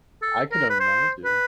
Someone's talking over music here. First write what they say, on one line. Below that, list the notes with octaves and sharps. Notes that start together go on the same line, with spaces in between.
I can imagine.
A4
A#4
B4
C5
B4